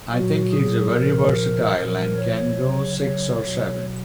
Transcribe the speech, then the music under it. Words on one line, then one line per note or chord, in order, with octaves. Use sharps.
I think he is very versatile and can go six or seven.
A#2 F#3 F#4
G#4
A#2 F3 A#4
A#2 F3 A#4
C#5
C#3 F#3
C#5
B2 F#3